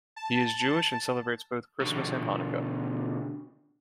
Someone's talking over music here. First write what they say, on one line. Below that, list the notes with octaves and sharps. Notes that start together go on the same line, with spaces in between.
He is Jewish, and celebrates both Christmas and Hanukkah.
A5
B2 D3